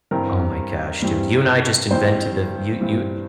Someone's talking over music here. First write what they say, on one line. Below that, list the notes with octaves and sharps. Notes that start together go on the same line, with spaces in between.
Oh my gosh, dude. You and I just invented the you you
G2 E3 G3 C4 A#4
G2 E3 G3 C4
G2 E3 G3 C4 C5
G2 E3 G3 C4